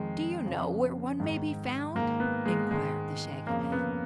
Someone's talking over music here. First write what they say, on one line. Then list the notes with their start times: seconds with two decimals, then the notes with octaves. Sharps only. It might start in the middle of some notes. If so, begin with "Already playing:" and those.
"Do you know where one may be found?" inquired the Shaggy Man.
Already playing: F2 D#3 G#3
0.43 F2 C#3
1.20 G#2 D#3
1.95 G#2 A#3
1.99 D#3
2.20 B3
2.45 G#3
2.71 G#2 D#3 G#3
3.46 F2 A#3
3.50 C#3
3.72 B3